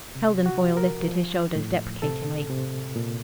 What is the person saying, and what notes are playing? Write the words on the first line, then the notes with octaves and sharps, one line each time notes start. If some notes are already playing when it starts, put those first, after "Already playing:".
Heldon Foyle lifted his shoulders deprecatingly.
C3
F#4
F3
A#4
F3
A2
C3 A4
C3
A#2